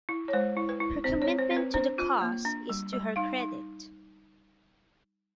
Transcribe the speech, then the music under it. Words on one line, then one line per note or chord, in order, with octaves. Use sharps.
Her commitment to the cause is to her credit.
E4
C#5
G#3 C5
E4
B4
E4
C4 C5
C#5
C4
C5
C4
B4
D4 C5
F4
A#3
D4
G3
G3
D#4 F5
D#4